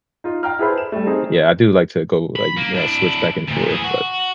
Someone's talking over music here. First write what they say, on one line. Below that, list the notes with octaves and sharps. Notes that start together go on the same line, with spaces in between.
Yeah, I do like to go, like, you know, switch back and forth, but
D#4 F4
F5 G5 A#5 F6
E4 G#4 A4 B4 C5 E5
E7
G3 A3
C4 D#4 G#4
B5
A#3
D4 E4
D2 A#2
E3 G#4
F#4